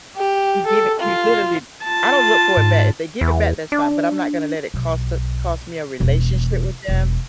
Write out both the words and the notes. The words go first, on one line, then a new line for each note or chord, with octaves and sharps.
you give it, you literally I don't look for it back, if they give it back, that's fine, but I'm not gonna let it cost a cost me a relationship with them
G4
A4
F4
F4 A5
G#2
E2
D4
B1
E1
E1